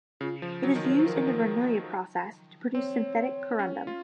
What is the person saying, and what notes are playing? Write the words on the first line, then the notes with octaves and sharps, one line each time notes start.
It is used in the Verneuil process to produce synthetic corundum.
C#3 F4
F3
F#3 F#4
D#3
F3 C#5
C5
F3 A#4
D#3
F3
C4 C#5
C#4
F4